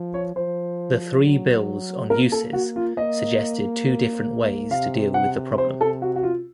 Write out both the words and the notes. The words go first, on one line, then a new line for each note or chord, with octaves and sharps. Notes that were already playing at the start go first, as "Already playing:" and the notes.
The three bills on uses suggested two different ways to deal with the problem.
Already playing: F3
C#5
F3 C5
F#3
A#3 A#4
A4
F#4
F4
A#3 D#5
C3 F5
F#5
C5
A4
F#4
F#4
F4